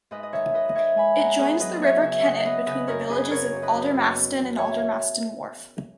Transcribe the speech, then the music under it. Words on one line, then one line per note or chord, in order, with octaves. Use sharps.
It joins the River Kennet between the villages of Aldermaston and Aldermaston Wharf.
G#2 B4 D#5
D#5
D#3 C#5 E5
D#3 B4 D#5
D#5
D#3 C#5 E5
G#3 G#5 B5
G#2 F#5 A#5
B3 G#4 B4
F#3 B4 D#5
B3 C#5 E5
C#3 C#5 E5
C#3 D#5 E5 F#5
B3 B4 D#5
C#3 B4 D#5
F#2 A#4 C#5
F#2 G#4 B4
B4
C#3 A#4 C#5
F#2
B4 D#5
F#2
F#2
B3
F#2
E3 C#5 E5